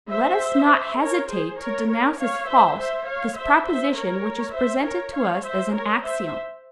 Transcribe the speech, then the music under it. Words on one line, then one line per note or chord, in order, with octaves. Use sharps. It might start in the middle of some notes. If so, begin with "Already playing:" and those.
Let us not hesitate to denounce as false this proposition which is presented to us as an axiom.
C5 E5
A#4 C#5
G#4 C5
A#4 C#5
A#4 C#5
C#5 F5
C5 E5
C5 E5
C#5 F5
C5 E5
C5 E5
A#4 C#5
C5 E5
A#4 C#5
C#5 F5
C5 E5
A#4 C#5
C5 E5